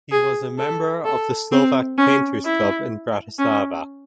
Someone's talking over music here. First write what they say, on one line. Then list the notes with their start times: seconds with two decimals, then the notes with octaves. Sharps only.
He was a member of the Slovak painters club in Bratislava.
0.11 G#4
0.58 A4
1.05 A4
1.51 C4
1.98 C#4
2.45 E4
3.38 C#4